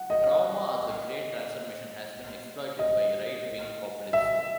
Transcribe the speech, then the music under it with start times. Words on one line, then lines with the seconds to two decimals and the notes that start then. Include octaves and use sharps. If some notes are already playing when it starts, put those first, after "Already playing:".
The trauma of the great transformation has been exploited by right-wing populists.
Already playing: F#5
0.10 D#5
2.79 D#5
4.13 E5